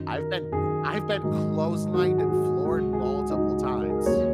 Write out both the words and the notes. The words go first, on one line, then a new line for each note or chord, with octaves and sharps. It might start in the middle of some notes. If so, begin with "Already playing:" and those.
I've been I've been clotheslined and floored multiple times.
Already playing: F#2 D#3 F#3
A#4
F#2 D#3 F#3 G#4
G#2 D#3 F#3
G#2 D#3 F#3 F#4
G#4
F#4
C#2 C#3 F#3 F#4
G#4
F#4
D#4
C#2 C#3 F#3 F#4
G#4
A#4
G#4
A#4
D#2 C#3 F#3 C#5